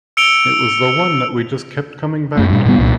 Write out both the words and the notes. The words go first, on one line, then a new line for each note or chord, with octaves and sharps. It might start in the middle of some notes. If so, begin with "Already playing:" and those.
It was the one that we just kept coming back to.
E6 C#7 D7 F7 G7
F#2 A3
G2 A#2
A2 C#3 G3 B3
C2 A#2